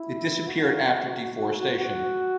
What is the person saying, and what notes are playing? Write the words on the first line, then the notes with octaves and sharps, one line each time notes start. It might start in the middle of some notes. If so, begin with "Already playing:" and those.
It disappeared after deforestation.
Already playing: E4
F#4
F#4